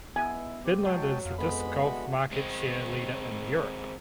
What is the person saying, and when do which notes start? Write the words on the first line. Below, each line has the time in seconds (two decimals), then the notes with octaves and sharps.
Finland is the disc golf market share leader in Europe.
0.16 G#3 B3 E4 G#5
0.64 C4 G4
0.85 F#3 G#3 F#4 G5 A5
1.25 F2 F5
1.38 D2 G#3 B3 B5
1.84 A3 D4 F#4
2.32 G#3 C4